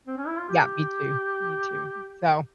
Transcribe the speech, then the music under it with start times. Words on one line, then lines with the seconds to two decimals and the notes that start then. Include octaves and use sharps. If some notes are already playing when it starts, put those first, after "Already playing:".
yeah, me too, me too. So,
0.07 C4
0.17 C#4
0.28 E4
0.38 F4
0.49 G4